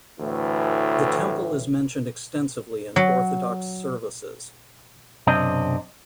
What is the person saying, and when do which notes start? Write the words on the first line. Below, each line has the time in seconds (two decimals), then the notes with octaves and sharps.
The Temple is mentioned extensively in Orthodox services.
0.20 D2 A2 E3
2.96 F#3
5.27 B1 F#2 C3 C4 D4 D#5